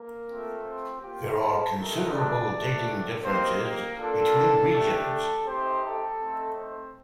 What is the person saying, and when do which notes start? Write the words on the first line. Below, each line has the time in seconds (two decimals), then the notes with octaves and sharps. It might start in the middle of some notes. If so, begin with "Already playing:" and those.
There are considerable dating differences between regions.
Already playing: A#3 A#4
0.26 A3 C4 F4
0.64 C4 C5
1.00 A#3 F4 G4 G5
1.38 A4 A5
1.75 A3 C4 D#4 G4 A#4 A#5
2.12 D4 D5
2.49 A3 D4 G4
3.23 A#3 C4 D#4 G4 C5
3.60 A#3 A#4
3.98 A#3 D4 F4 A4
4.72 A3 D4 G4
5.09 A4
5.46 A3 C4 D#4 G4 C5
5.83 A4
6.20 A3 C4 D#4
6.57 C4 C5